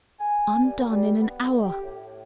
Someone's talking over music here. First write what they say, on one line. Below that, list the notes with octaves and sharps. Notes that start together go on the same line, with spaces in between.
Undone in an hour!
G#5
G2
A#2
G3
B3
D3
G4
A2